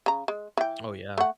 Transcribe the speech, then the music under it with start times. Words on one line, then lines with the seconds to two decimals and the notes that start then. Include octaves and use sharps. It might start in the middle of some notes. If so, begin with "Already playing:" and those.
Oh, yeah.
0.06 C#3 A#5
0.28 G#3
0.57 E3 G5
1.18 A3 F#5